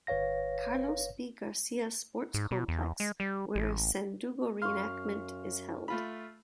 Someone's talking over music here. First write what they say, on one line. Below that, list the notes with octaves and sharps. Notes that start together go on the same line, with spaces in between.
Carlos P. Garcia Sports Complex where a Sandugo Re-enactment is held.
G1 B4 C#5 F5 A#6
G#2
B2
E2
G#3
G3
A1
F#2 F5 C6 C#6 F6
A3 F4 B5